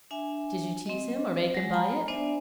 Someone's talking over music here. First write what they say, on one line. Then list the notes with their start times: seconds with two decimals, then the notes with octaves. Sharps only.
"Did you tease him, or make him buy it?"
0.11 D4 E5 G#5
0.86 C4 D#5
1.55 F#3 G#3
1.73 G#5 A#5 B5
2.08 B3 D4 C5 D5 E5 G#5